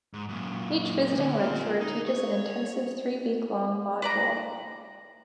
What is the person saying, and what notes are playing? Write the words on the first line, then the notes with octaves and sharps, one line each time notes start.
Each visiting lecturer teaches an intensive three-week-long module.
G#2
F#2 A#2
A2 D3
A#3 F4
D#4
C#5
B4 D5 A#5